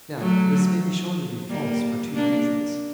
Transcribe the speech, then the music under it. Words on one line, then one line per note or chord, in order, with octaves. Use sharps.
Now this may be shown to be false for two reasons.
F#3 A3
G3 A#3
A#3 D4